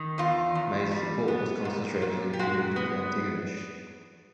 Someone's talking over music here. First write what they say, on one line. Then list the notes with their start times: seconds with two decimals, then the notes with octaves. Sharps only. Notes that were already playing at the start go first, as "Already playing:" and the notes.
May's support was concentrated in the community of Antigonish.
Already playing: D#3
0.18 E2 F4
0.55 E2
0.91 G3
1.28 B3
1.65 A#2
2.02 A#2
2.33 G4
2.39 G#3 F#4
2.76 B3